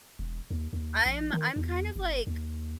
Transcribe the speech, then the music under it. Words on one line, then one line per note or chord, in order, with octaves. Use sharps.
I'm I'm kind of, like,
E1
D#2
D#2
A#1
D#3
E2
G1
D#2